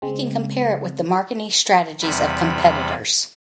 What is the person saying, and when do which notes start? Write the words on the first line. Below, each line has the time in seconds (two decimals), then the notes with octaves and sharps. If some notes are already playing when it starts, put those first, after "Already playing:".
You can compare it with the marketing strategies of competitors.
0.02 C#3 G#3 C4
2.01 E2 C3 G3 B5